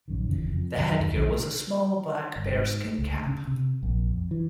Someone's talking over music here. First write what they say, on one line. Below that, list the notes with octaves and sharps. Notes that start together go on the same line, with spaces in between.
The headgear was a small black bearskin cap.
A#1 F#2 D#3
F#1 D#2 C#3 E3
F2
F#2 D#3 E3 F#3
D#2
B1 D#3 F3 C#4
G1
G#2
A3
C#2
D2
C#3
C3
A#1
F2
E3